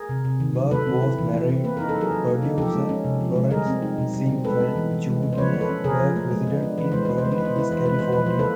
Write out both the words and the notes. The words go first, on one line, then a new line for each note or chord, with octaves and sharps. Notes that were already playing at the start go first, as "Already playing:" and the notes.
Burke was married to producer Florenz Ziegfeld, Junior Burke resided in Beverly Hills, California.
Already playing: G#4 A#4
C3
C3
D#3
F#3
A3 A4 B4
C4
E4
E3
A3
C4
A#3 B4
D#4 A#4
A4
F#3
G#4 A#4
F#3
A#3
D#4
F3 G4 A4
G#3
C#4
C3
F3
G#3
G3 G#4 A#4
C4
D#4
B2
G3
C4
G#3 A4 B4
B3
E3
E3
G#3
B3
C5
F3 B4 C#5
A3
A4 B4
C#4
C#3 G#4 A#4
F3
A3
G#3
B3
D4
E3 B4
G#3 C5
B3 B4
C5
G#3
B4
B3
C5
E4 B4
E3 C5
G#3 B4
B3 C5
B4
F3
C5
A#3
A4 B4